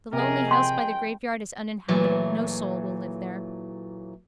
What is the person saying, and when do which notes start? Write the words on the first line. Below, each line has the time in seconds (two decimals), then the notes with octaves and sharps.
The lonely house by the graveyard is uninhabited. No soul will live there.
0.13 F2 C3 G#4 A#4 D#5
0.51 G5 C6
1.88 A#2 E3 F#3 A3 G#4